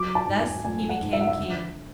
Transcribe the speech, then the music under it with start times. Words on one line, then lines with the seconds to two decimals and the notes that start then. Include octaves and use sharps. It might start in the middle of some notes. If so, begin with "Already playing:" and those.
Thus he became King.
Already playing: F#3 D6
0.15 A5
0.27 G#2
0.40 G#5
0.64 A3 G#5
0.89 F#5
1.02 G#2
1.13 E5
1.21 F#5
1.27 E5
1.38 D3